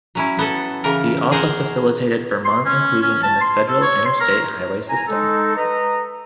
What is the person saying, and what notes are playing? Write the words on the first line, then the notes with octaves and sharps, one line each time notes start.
He also facilitated Vermont's inclusion in the federal interstate highway system.
F#3 C#4 E4
B3 A4 B4
C#3 E3 A#4
G#4 A#4 C5 F#5
C6
C#4
C#4
A5
C6
A4
C#5
C6
A#4
G#5 A#5
G#3 D#4 A4
B4 D#5 A#5